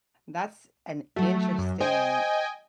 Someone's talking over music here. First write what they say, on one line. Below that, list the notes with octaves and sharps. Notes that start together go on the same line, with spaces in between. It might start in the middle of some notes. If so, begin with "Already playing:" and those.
That's an interesting
F#3 A3 F#4
F#2
C5 D#5 G5 G#5